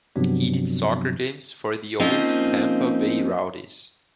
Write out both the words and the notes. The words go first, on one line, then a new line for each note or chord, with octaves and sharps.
He did soccer games for the old Tampa Bay Rowdies.
G2 C3 F3 F#3 B3 D4
F3 A#3 C4 C#4 D#4